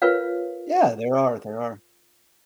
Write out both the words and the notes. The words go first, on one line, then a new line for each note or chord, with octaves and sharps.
Yeah, there are, there are.
F4 A#4 B4 C#5 F5